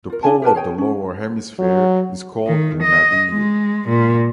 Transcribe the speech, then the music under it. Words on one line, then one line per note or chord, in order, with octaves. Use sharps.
The pole of the lower hemisphere is called the nadir.
F4 A#4
D4 E4 G#5 A5
G4 A#4 B4 A5
G#4 C#5 G5 G#5
C#4
F#3
D#3
D#5
G#3
A#2